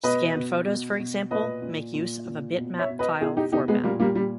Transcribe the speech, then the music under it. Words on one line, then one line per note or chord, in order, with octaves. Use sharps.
Scanned photos, for example, make use of a bitmap file format.
B2 B4 D#5
B2
B2
B2
A#2 B4 D#5
A#2
A#2
A#2
B2
C#5 E5
B2
B4 D#5
B2 E4 G#4
D#4 G4
B2 D#4 G4
G#3 B3
A#2 G3 A#3
G3 A#3
A#2 G3